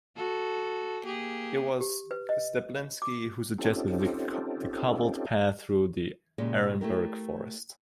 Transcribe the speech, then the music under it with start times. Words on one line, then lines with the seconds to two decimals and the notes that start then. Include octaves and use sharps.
It was Stablinski who suggested the cobbled path through the Arenberg forest.
0.16 F#4 A4
1.04 A#3 G4 G#4
1.81 G4
2.11 B4
2.29 D#5
3.02 D6
3.58 C4 C#4 D#4 F4 G4 A4
6.38 A#2 C#3 G#3 G4
6.81 A3 E4 G4 A#4